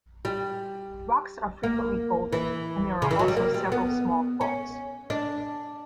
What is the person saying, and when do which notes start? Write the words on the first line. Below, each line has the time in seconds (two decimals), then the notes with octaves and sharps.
Rocks are frequently folded, and there are also several small faults.
0.25 G3
1.63 A#3
2.33 E3
3.02 C#3
3.11 E3
3.19 F#3
3.28 G3
3.37 A#3
3.54 G3
3.72 B3
4.41 C#4
5.10 D4